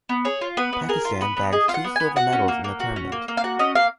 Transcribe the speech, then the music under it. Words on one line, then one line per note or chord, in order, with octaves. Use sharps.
Pakistan bagged two silver medals in the tournament.
B3
G#4 C#5
F4
B3 B4
B3
G#4 A#4
F4
B3 B4
B3
G#4 D#5
F4 F5
F#5
B3
B3 G#5
F#4 F#5
C#4
A#3
A#3
F#4
C#4
A#3
A#3
F5
F#4 F#5
C#4 D#5
A#3 F5